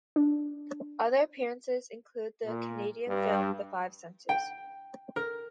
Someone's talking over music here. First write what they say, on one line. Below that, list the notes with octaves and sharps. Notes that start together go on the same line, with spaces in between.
Other appearances include the Canadian film "The Five Senses".
D4
A#2
G2
G5
A#4